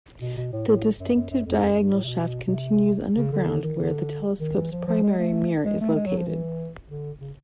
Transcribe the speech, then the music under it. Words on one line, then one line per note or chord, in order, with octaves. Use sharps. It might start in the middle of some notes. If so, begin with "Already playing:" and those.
The distinctive diagonal shaft continues underground, where the telescope's primary mirror is located.
B2
B2
A2
A2
F#2
F#2
F#2
F2
F2
F#2
G2
A2
C3
B2
B2
C3
C#3
D3
D3
D#3
D3
D#3
E3
F3
F3
G#3
A3
G#3
A3
G#3
F#3
F3
E3
D3
C#3